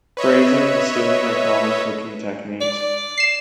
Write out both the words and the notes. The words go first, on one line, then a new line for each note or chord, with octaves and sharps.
Braising and stewing are common cooking techniques.
B4 C#5 D#5 E5
D5
C7 E7